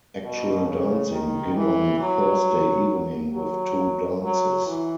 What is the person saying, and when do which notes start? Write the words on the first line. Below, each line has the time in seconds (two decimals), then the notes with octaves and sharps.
Actual dancing begin on Thursday evening with two dances.
0.23 B2
0.66 C#3
1.11 D#3
1.56 E3
2.00 F#3
3.33 F#3
4.23 F#3
4.67 E3